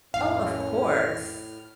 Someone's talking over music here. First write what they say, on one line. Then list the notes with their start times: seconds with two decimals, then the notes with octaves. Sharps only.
Oh, of course.
0.14 A1 F2 A2 A#3 C#4 F5 F6